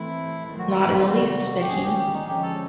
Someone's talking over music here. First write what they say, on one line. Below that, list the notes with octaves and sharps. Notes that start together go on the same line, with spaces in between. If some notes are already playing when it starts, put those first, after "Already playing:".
"Not in the least," said he.
Already playing: E3 A3 C4 E4
D#3 F#3 A3 C4
F#4
F4
E4
F4
G4
C3 D#3 G3 F#4
G4
D#3 G3 A#3 C#4 G#4
G4
G4
D#4
D3 F3 G#3 C#4 G4
A4